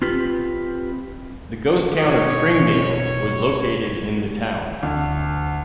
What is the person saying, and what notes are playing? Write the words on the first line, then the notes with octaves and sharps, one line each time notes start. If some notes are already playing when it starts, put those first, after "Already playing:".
The ghost town of Springdale was located in the town.
C4 F4 G4 B4
B2 D#4 C#5
D2